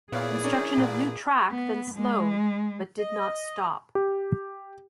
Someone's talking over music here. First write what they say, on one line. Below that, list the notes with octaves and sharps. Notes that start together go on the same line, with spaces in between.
Construction of new track then slowed, but did not stop.
A#2 B3 E4 G#4 C#5 D5 F5
C#4 D4 A#4
A1 A#2
B3
G#3
D#5
G4